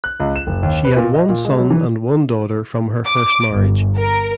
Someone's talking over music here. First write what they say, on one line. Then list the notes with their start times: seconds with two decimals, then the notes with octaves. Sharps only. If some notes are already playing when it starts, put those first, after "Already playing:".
She had one son and one daughter from her first marriage.
0.04 F#6
0.20 C#2
0.36 E7
0.47 F#1
0.63 D#2
0.85 B4
0.96 A#2
1.14 D#5
1.29 A#2
1.45 G#3
1.58 F#3
1.71 E3
3.07 D6
3.51 G1
3.97 A#4